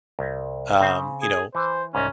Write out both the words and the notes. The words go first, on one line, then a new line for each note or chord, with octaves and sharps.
Um, you know,
C2
C#3 C4 C5
G#4
E3 C5
C2 G#2 C#4